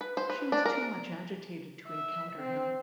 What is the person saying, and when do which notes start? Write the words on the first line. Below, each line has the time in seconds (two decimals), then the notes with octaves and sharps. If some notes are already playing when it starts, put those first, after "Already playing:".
She was too much agitated to encounter him.
0.01 B4
0.17 C5
0.30 B4
0.52 D4
0.66 A#4
1.88 E5
2.38 C4